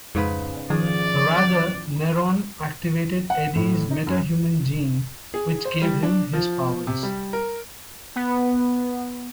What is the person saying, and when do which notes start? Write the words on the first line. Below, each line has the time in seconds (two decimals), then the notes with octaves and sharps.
Rather, Neron activated Eddie's metahuman gene which gave him his powers.
0.15 F2 G#2 C#3 B4
0.70 D#3 F3 G#4 D5
3.30 F#5
3.55 A2
3.91 D#4
4.07 F#2
5.34 G#4
5.65 C5
5.82 G3
6.03 D4
6.33 F3
6.87 C3
7.03 G3
7.33 A#4
8.16 B3